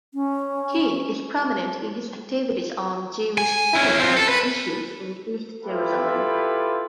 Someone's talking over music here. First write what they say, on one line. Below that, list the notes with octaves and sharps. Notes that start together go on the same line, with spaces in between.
King is prominent in his activities on Jewish settlement issues in East Jerusalem.
C#4
G#5
C#4 E4
C4 F4
A4
B4
E4 F4 G4 A4 B4